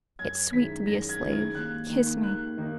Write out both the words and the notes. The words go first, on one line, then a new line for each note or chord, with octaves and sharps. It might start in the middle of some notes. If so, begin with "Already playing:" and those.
It's sweet to be a slave. Kiss me!
F#2 G#6
D#3 G#3 C#4 E4 B6
F#2 A#6
G#6
D#3 G#3 C#4 E4
G#6
D#2 F#6
D#3 A#3 D#4
D#2 F#6
D#3 A#3 D#4